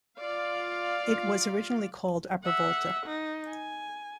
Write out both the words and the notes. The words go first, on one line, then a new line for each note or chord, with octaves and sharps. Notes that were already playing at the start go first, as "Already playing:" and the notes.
It was originally called Upper Volta.
F4 D5 F5
E5 F#5
D#4
G#5